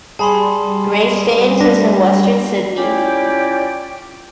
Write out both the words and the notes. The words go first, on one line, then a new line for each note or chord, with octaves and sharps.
Greystanes is in Western Sydney.
G3 G#4 A5 B5 C6
D4 A#6
C#4 E4 F4 G4 D5 G5